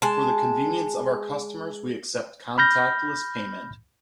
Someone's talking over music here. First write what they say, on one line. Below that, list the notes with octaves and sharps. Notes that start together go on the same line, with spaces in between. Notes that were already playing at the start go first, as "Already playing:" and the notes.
For the convenience of our customers we accept contactless payment.
G#3 A5
B5 F6 G6 A#6